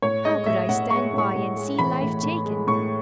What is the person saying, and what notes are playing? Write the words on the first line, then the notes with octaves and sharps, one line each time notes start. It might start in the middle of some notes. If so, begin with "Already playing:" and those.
How could I stand by and see life taken?
A2 C#5
G#3 D#5
A2 E5
A2 F#5
G#3 C#6
A2 C#6
A2
G#3
E3 B5
A2
A2
G#3
A2 C#6